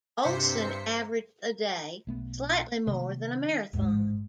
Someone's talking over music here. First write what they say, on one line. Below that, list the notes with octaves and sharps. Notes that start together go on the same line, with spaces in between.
Olsen averaged a day, slightly more than a marathon.
G2 C3 C5 B6 C#7
B1 A3 B3
C3 D#3 A3 A#3
A1 D#2 G#2
G#3